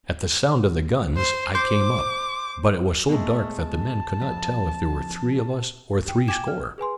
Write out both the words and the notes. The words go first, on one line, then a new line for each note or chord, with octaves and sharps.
At the sound of the guns I came up, but it was so dark that the men could not tell if there were three of us or three score.
C5
C5 D6
B2 G#3 A3
A5
F2
G5
G5 G#5 D6 G#6 D7 E7
F6
G#4 B4 G#5 C6